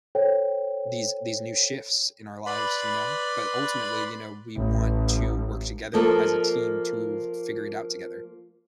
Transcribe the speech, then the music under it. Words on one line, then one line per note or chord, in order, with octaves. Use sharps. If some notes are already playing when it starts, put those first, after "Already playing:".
these these new shifts in our lives, you know, but ultimately, you know, we want to work together as a team to figure it out together,
A4 C5 C#5 G5
B4 D5 B5 C6
A1
F3 A#3 A4 D#5